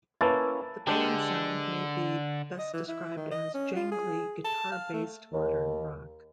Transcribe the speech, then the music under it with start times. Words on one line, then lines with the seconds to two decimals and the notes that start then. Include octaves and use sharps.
The band's sound may be best described as jangly guitar-based modern rock.
0.21 A#3 C#4 E4 B4 A5 A6
0.87 D3 G#3 D4 G4
2.58 D#5
2.73 E3
2.89 E4
3.17 D#3
3.31 D#5
3.54 C#4
3.76 F4
3.92 G#4
4.45 A5
4.72 F5
4.93 A3
5.33 D#2